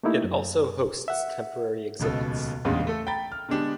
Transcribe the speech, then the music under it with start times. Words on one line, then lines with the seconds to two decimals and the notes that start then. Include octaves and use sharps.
It also hosts temporary exhibits.
0.03 A3 A#3 D#4 E4 G4
0.24 F#2
1.08 E5 F#5
2.00 D#1 C#2 B2 A4
2.64 A1 E2 G2 A#2 C#3 G#3
2.87 A3 A4
3.07 G5 A#5 B5 A6
3.32 F6
3.49 D3 G#3 B3 D4 G4